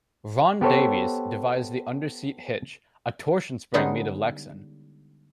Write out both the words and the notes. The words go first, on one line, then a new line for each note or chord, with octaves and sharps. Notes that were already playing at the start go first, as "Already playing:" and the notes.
Ron Davis devised the under-seat hitch, a torsion spring made of Lexan.
B3 G4 A4 C5 C#5
D3 G3 G#3 B3 C#4 D#4